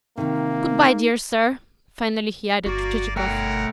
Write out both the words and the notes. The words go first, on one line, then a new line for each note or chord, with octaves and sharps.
"Good-bye, dear sir," finally he added to Chichikov.
C3 D#3 A#3 D#4
G1 A#3 F#4 D5
A3 A#4 F#5 G5